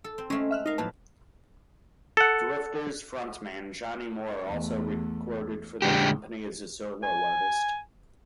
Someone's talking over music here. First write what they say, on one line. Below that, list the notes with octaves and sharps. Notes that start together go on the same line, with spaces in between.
Drifters front man Johnny Moore also recorded for the company as a solo artist.
A4
C4
G#3 A3 C#4 F4
E5 F6 F#6
D#4 A#4 D#5 F5
A2 F3 F#3 A#3 B4 A5
A4 F#5
E2 A3
F2 A#2 D3 G#3 G4
G#5